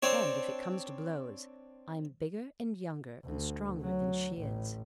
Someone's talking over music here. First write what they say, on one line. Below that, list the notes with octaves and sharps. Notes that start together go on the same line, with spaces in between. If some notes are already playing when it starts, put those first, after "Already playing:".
And if it comes to blows, I'm bigger and younger and stronger than she is.'
C4 D4 C#5
D2
F#3
A1